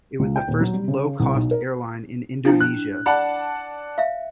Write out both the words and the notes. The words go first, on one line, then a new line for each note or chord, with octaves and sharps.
It was the first low cost airline in Indonesia.
C#2
G5
D#1
F#3
G3
C#3
C2
B1
A#4
F3 D4 E4 G5
F#6
D5 F#5 A5 B5
E5 F5